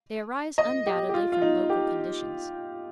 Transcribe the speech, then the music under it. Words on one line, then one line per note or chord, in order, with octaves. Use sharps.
They arise undoubtedly from local conditions.
D#5
G4
G4
F4
F4
D#4
G4